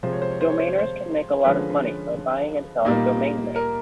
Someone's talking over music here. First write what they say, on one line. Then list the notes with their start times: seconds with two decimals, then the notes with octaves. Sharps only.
Domainers can make a lot of money by buying and selling domain names.
0.03 C3 F3 G#3 C5
0.12 C#5
0.22 C5
0.31 C#5
0.41 C5
0.50 C#5
0.59 C5
0.69 C#5
0.78 C5
1.44 D3 F3 G#3 C#4 B4
2.85 A#2 G3 A#3 D#4
3.56 A#4